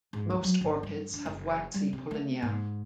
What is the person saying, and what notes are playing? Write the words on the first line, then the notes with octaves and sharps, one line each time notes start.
Most orchids have waxy pollinia.
G#2
D2
F#3
G1
G2
D4
F#1
G3
C3
A3
G#2